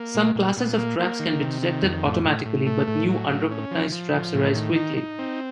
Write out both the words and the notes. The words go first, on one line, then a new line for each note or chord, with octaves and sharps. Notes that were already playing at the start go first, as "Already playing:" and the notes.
Some classes of traps can be detected automatically, but new, unrecognized traps arise quickly.
Already playing: A#3
A#2
A#2
A#2
A#3
A#3
D#3
C3
D#3
F2
A2
A2
A2
A3
A2
F#3
A2
C#4
F3
F3
F3
A2
D#3
D#4
D#4
C4